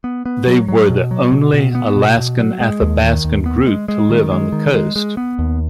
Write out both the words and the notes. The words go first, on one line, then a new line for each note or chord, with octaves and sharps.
They were the only Alaskan Athabaskan group to live on the coast.
B3
B3
F#3
F#3
B2
F#3
B2
B2
B3
B2
B2
F#3
G#3
D#2
D#3
D#2
B3
G#3
G#3
D#3
G#3
D#3
G#3
G#3
B3
D#2